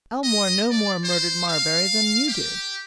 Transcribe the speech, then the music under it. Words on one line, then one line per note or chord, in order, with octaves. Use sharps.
"Aylmore no more murdered Marbury than you did!"
D#5
D5
C5
F5
G4